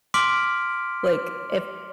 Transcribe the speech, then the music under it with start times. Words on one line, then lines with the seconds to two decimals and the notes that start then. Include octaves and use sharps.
Like, if
0.14 C6 D6 F6 B6 D7 F#7